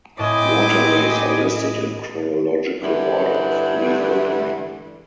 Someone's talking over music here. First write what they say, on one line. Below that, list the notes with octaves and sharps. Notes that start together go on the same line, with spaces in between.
Waterways are listed in chronological order of re-opening.
A2 C4 E4 D#5 G#5 D6 D#6
G2 D3 E3